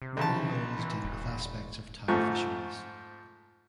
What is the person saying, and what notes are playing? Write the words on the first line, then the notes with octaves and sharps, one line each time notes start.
Many laws deal with aspects of Thai fisheries.
C3
B1 C#3 A5
E3
E1
G#2 F3 A3 C#6